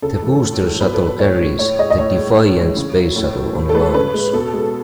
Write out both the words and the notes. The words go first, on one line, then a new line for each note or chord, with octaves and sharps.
The booster shuttle carries the "Defiant" space shuttle on launch.
C#3 A4
E3 G#3
A2
E3 G#3
B2 B4
A4
F#3
B4
A2 C#5
G#3
A2 C#5
G#3 D#5
D#5
A2 C#5
G#3
A2
E3 G#3
C#3
F#3
A2
F#3
A2
A4
G#3 B4
C#3 B4
G#3
B2 A4
G#3